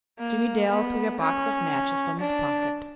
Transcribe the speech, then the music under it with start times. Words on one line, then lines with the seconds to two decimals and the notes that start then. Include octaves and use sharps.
Jimmie Dale took a box of matches from his pocket.
0.19 A#3
0.69 B3
1.20 C#4
2.19 D4